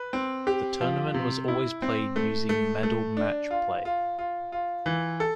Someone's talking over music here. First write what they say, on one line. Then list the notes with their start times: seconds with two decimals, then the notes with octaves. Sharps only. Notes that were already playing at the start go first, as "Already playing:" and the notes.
The tournament was always played using medal match play.
Already playing: B4
0.13 C4
0.47 G4
0.81 F3
1.14 C3
1.48 E4
1.82 C4
2.16 A3
2.49 A3
2.83 A3
3.17 D4
3.51 F4
3.85 F4
4.19 F4
4.52 F4
4.86 E3
5.20 A4